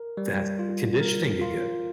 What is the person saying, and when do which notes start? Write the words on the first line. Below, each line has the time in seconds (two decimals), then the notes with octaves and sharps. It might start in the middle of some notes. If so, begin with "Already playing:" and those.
that's the conditioning you get.
Already playing: A#4
0.17 G3
0.59 F4
1.00 A#4
1.41 F4